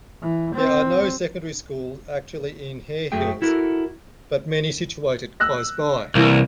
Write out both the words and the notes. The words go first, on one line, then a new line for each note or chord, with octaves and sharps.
There are no secondary schools actually in Harehills but many situated close by.
E3
C4
F#2 F#3 A3 G#4 G5
E4 F#4 A4 A#4
E6 F#6 A#6
C2 E3 A#3